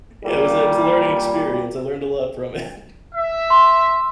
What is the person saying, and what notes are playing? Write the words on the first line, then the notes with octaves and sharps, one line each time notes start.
Yeah, it was a it was a learning experience. I learned a lot from it.
A#2 G3
E5
C6